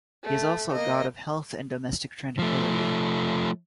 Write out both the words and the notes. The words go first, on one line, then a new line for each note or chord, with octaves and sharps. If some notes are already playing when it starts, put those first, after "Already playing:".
He is also a god of health and domestic tranquility.
A3
A#3 D#5
F3 A3